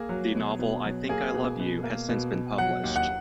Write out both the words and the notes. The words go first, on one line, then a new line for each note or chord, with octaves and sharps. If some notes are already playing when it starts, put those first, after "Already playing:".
The novel "I Think I Love You" has since been published.
Already playing: A#3 G#4
F#3
B2
B2
F#3
A#3 G#4
B2
B2
A#3
B2
B2
F#3 F#5
D#2
F#5